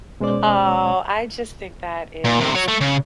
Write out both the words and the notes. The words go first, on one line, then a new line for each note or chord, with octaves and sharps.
Oh, I just think that is
B2 G#3 C#4 C5 D5 D6
A#2
A2 C3
F#4 C#5
A3
C#3